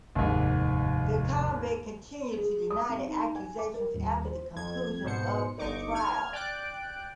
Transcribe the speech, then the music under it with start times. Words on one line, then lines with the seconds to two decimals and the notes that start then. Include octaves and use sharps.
The convict continued to deny the accusations after the conclusion of the trial.
0.15 F1 D#2 G#2
2.37 G#4
2.70 D#6
2.89 C4
3.08 D#4
3.35 G#5
3.58 D6
3.74 A#4
3.94 D#1
4.25 C5
4.56 F2 G#6
5.04 G#2 B2 C5 C#7
5.59 G1 D#4 C#6 D6
5.94 F6 G#6
6.33 D5 G5 D6 F#6 D7